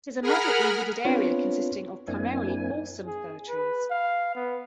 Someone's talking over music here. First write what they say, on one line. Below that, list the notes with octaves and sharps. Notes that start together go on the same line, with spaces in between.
It is a moderately wooded area consisting of primarily balsam fir trees.
G#4 A#4 F#5 B5 F6
B3 C4 D4 F4 B4 C#5
F#2 A#3 C4 D4 E4 G#5
G#4
B4
F5
B3